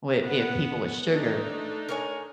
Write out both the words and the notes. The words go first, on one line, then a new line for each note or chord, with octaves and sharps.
wi if people with sugar,
B3 B4 F#5
A3 D4 D#4
A#4 C#5 G#5